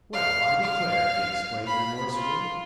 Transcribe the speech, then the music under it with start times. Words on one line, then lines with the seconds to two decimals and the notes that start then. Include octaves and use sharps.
"Well, I declare!" he exclaimed remorsefully.
0.13 F5
0.64 F5
1.66 B5
2.16 F4